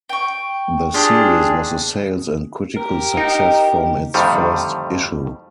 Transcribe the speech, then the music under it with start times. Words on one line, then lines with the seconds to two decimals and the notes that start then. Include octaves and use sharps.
The series was a sales and critical success from its first issue.
0.09 G5 C#6
0.94 D4 F4 G4 G#4
2.77 G4 A#4
3.17 D#4 G5
4.14 F2 A2 D3 D#3 G3